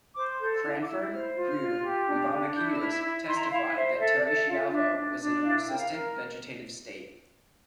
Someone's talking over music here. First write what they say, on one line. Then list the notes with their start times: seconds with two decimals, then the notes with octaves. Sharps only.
Cranford, Greer, and Bambakidis testified that Terri Schiavo was in a persistent vegetative state.
0.16 C5 D6
0.40 A4 G6
0.52 E6
0.63 E4 F6
0.81 D6
0.87 E4 E6
1.11 C5 F6
1.36 F4
1.47 F6
1.60 F4
1.83 G4
2.07 D4
2.31 D4
2.55 E4 G6
2.72 E6
2.79 E4 F6
3.03 E4 E6
3.27 E4 C6
3.34 A#5
3.42 C6
3.51 E4 F5
3.75 C5 E5
3.99 A4 E5
4.17 D5
4.23 A4
4.35 E5
4.47 F4 F5
4.53 E5
4.71 D4 E5
4.95 D4
5.19 D4
5.43 E4 F5
5.67 A#4 G5
5.79 F5
5.91 A#4